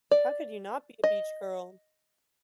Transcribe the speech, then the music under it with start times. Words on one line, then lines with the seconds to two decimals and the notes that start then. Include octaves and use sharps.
How could you not be a beach girl?
0.11 D5
1.04 D#5